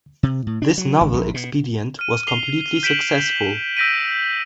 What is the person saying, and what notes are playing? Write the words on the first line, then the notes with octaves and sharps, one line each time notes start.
This novel expedient was completely successful.
C3
A2
D4
F#3
G#1
A#1
B2
F6 D#7
C7 F7 G7
G6 B6 D7 E7 F#7
E6 G6 A#6 B6 D7 D#7